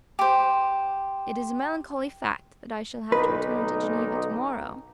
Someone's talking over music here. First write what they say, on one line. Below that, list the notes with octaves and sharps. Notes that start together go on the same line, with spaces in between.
"It is a melancholy fact that I shall have to return to Geneva tomorrow."
G4 C5
B1 D3 D#4 B4